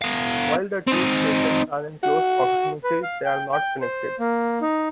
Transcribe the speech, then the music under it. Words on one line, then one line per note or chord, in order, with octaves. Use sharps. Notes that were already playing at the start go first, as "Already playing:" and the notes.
While the two stations are in close proximity, they are not connected.
B3 F5
C4 D#4
F#4
B4
F5
G5
G5
C5
A#3
D#4